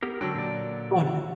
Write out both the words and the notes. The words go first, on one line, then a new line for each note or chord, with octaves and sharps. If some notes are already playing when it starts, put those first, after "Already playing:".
Go on ahead.
B3 G4 A#4
D3 F#3 D4 F#4 G5
A#2 D5